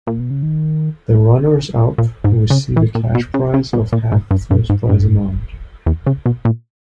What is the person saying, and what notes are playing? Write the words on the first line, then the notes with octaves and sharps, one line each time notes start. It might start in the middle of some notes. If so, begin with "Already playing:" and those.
The runners up receive a cash prize of half the first prize amount.
A#2
B2
C#3
D#3
A#2
G#2
C#3
E3
A#2
B2
C#3
C#3
B2
A#2
G#2
G2
G2
G#2
G2
E2
C#3
B2
A#2